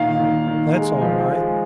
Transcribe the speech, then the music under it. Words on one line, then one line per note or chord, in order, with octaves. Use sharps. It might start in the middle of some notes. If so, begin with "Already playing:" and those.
That's all right.
Already playing: A#2 D#3 F5
D#3
D#3
G#3
F3
G#3